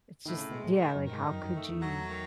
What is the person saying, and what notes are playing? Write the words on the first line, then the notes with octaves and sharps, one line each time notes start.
it's just yeah, like, how could you
A2 D#3
C#3
B2 G#3
A2
D#3
F#2
D#3
G#2
F#2 D#4
F#2
A3
E2
F#3
D#3